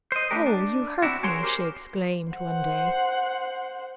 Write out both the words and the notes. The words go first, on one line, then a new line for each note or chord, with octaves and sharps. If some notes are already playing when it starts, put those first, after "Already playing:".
"Oh--you hurt me!" she exclaimed one day.
C5 D#5
A3 D4 D#4 G4 A#4
D4
C4 D4 E4 F#4
F#4 G#4 A#4 C#5 C6
G4 A#4 C5
C5 F#5